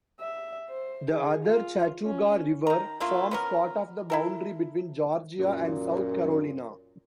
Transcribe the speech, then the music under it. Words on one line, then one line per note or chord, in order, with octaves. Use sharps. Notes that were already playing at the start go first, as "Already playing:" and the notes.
The other Chattooga River forms part of the boundary between Georgia and South Carolina.
E5
C5
G#4
F4
C#4
D#3 A#5
A3 A#3 D4 F4
B3 C#4 A#4
E4 A4 A#4
F#2 A#2